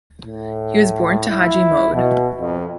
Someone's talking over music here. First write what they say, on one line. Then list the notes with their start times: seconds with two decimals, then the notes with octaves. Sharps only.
He was born to Haji Mohd.
0.25 A2
1.29 E4
1.92 B2
2.39 F2